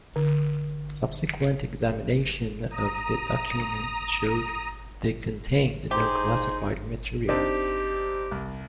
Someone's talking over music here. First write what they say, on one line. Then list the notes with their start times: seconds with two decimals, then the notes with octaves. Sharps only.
Subsequent examination of the documents showed they contained no classified material.
0.16 D3
2.71 A#5 D#6
5.91 D#4 G4 G#4 C5
7.29 C4 D4 D#4 G4
8.31 C2